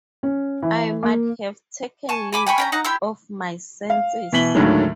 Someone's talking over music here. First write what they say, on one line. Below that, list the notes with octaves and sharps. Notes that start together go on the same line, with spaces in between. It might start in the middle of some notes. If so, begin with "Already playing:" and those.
I might have taken leave of my senses.
C#4
E3
A#3
G#5 A5 C#6
G#5 B5 D6
G5 G#5 B5 C#6
C#4 G5 A#5
D#4 F#5 A#5
E4 G4 C6 E6
F5
B2 E3 B6 F#7 G7
D#2 A2 D3 D#3 F#3 G#3